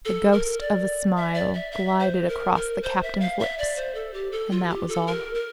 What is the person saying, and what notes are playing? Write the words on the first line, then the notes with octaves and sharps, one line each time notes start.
The ghost of a smile glided across the captain's lips, and that was all.
A4
A#4
D5
E5
D5
E5
E5
C5
A#4
A#4
C5
E5
F5
E5
D5
C5
A4
G4
A4
F4
G4
A4
A#4
A#4